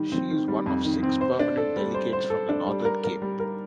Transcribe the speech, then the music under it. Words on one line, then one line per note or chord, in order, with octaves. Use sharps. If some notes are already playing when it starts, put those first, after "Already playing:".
She is one of six permanent delegates from the Northern Cape.
Already playing: D#3 G3
C4
D#3
G3
F2
D#3
C4
C5
D4
A4
G3
C5
C5
A4
D4
G3
A#4
A#4
G3
A#4